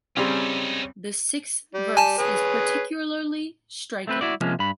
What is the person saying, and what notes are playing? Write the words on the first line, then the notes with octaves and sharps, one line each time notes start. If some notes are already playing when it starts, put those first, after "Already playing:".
The sixth verse is particularly striking.
C#3 G3 C4 C#4 D#4
G3
G#5 A5
G#4 B4 C#5
A3 C4 B4
E4 F#4 D5
C3 F3 G#3 A#3 C#4
G2 B5